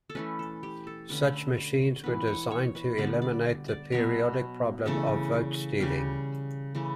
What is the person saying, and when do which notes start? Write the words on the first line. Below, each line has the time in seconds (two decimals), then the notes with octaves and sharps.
Such machines were designed to eliminate the periodic problem of vote-stealing.
0.10 A4
0.15 E3 A3 C#4 B4
0.39 A4
0.63 G4
0.87 A4
1.09 D3 A3 C#4 B4
1.57 C#5
2.04 E3 B3 B4
2.28 C#5
2.51 C#5
2.75 B4
2.98 D3 G3 B3 D5
3.22 D5
3.68 D5
3.92 B2 F#3 B3 C#5
4.86 C#3 E3 A3 C#4 A4
5.80 C#3 G3 C#4 G4
6.75 C#3 E3 A3